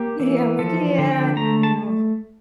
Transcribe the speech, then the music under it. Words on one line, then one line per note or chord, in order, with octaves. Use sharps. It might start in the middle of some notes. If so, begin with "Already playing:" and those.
Yeah, I'm like "Yeah, no,"
Already playing: A#3 G4
E3
F3 A4
D3
G5
A3 A#5
A5